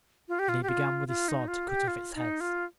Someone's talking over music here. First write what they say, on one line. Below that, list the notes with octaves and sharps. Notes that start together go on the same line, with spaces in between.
Then he began with his sword to cut off its heads.
F4
G4
F4
G4
F4
F4
D#4
F4
G4
F4
D#4
F4